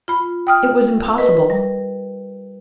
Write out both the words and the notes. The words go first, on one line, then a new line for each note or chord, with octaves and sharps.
It was impossible?
F4 B5
G5 D#6 F6
A#4 B4 D#5
G3